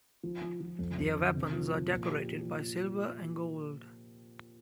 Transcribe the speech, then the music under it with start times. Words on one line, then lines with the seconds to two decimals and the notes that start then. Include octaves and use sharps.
Their weapons are decorated by silver and gold.
0.23 F3
0.42 F3
0.61 F3
0.79 F2
0.98 F2
1.16 D3
1.35 C3
1.53 F3
1.72 F3
1.91 A#2
2.10 G4